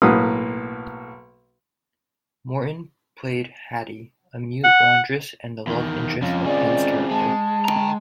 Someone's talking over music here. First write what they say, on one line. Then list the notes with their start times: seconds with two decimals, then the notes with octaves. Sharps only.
Morton played Hattie, a mute laundress and the love interest of Penn's character.
0.02 B1 A2 A#3 B4 D#6
4.64 F#5
5.67 E2 D#3
6.22 F2 C#4 F4
6.46 C4 G#4 D5
7.11 G#3 A5
7.65 G5 A#5